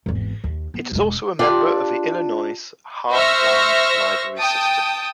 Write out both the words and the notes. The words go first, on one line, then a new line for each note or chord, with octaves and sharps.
It is also a member of the Illinois Heartland Library System.
G#1 E2
D#2
B3
E1 G#3
D4 F4 G4
C5 E5 C#6 E6 F6 A#6
G5 A5 D#6